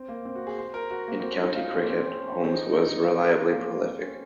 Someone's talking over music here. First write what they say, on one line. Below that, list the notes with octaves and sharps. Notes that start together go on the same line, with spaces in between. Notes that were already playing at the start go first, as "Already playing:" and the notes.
In county cricket, Holmes was reliably prolific.
Already playing: C4
A#3
C4
F#4
G#4
C5
A#4
F#4
A#3
C4
C#4
D#4
F4
C#4
A#3
C4
C4
C#4
C#4
C4
D#4
D#4
D#4
F4
A#4
C#4
C4
A#3
C4
C#4